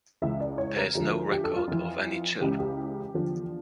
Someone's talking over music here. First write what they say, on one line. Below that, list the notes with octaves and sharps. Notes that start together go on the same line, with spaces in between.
There is no record of any children.
C#2 C#3 E3 E5
D5
C#5
A#4
D2 D3 F3
G4
A4
F4
F2 E3
C#2 C#3 E3 G4
G4
E2 D3 F3